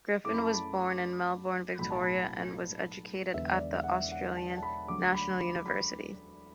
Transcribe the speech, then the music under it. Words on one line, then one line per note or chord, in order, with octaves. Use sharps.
Griffin was born in Melbourne, Victoria, and was educated at the Australian National University.
F#2 F#3 A3 E4 D6
B5
A5
B5
B1 A2 F#3 A3 B5
A5
B5
E1 E2 D3 B3 E5
D5
E5
F#5
E5
F#5
A5
A5
B5
D2 D3 F#3 D6
B5
B5
B5